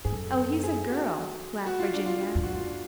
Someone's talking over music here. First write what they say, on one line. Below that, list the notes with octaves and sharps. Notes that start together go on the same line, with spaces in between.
"Oh, he's a girl!" laughed Virginia.
G#2 G#4
F#2 A4
A4
G#4
F#4
F#4
F4
D4
F4
F2
F#2 F#4
F4
D4